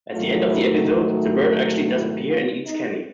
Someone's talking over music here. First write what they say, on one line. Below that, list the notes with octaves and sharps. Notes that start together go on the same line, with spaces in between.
At the end of the episode, the bird actually does appear and eats Kenny.
G#2 D#3 F#3 A3 F4
E4
D#4
E4
E4
F4
D#4